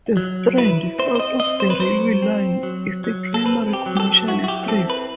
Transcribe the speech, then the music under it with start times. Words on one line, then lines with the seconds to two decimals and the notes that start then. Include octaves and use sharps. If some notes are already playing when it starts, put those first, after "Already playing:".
The Strand, south of the railway line, is the primary commercial strip.
0.17 F#3
0.58 E4 B4
0.99 C4 C5
1.15 C5
1.20 D#5
1.40 C4 D#5
1.60 C5
1.70 B4
1.80 F#3 C5
2.22 C4
2.63 F#3
3.04 F#3
3.34 A4
3.45 C4 B4
3.73 G4
3.86 F#3
3.97 G4
4.00 A4
4.28 E4 F#4
4.44 F#4
4.48 G4
4.68 C4 A4
4.90 B4